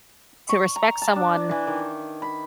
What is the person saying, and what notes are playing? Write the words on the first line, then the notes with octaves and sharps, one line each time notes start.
to respect someone
C#6
A#5
A5
D4
E3
D#3
B5